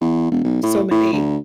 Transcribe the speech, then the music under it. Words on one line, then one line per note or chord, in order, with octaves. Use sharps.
So many.
E2
E1
B1
A2
A2
D2